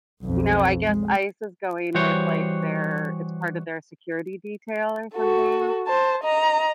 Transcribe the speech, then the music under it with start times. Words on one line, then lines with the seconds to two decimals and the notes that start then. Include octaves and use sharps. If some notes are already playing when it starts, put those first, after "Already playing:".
No, I guess ICE is going with, like, their it's part of their security detail or something.
0.22 B1 F2
0.86 G#3
1.95 E3 G3 F#4 C5 C#5
5.15 F#4 A4
5.87 C5 A5
6.24 D#5 A#5